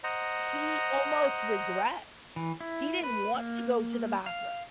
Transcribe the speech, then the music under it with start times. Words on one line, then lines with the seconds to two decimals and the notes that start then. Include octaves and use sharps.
e he almost regressed. He didn't want to go to the bathroom.
0.04 C5 D#5 F#5 A#5
2.36 E3
2.61 E4
3.03 B4
3.34 A#3
4.26 F5